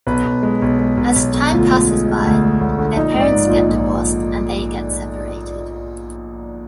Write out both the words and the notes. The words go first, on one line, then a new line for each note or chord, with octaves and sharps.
As time passes by their parents get divorced and they get separated.
B1 B4
B1
G#3
B1
G#3
B1
B1
B1
D2 F4
G#3
G#3
G#3
D2
G#3
D2
D3
A#1 D#4
G#2
D5
G#2
F4
A#1
A#1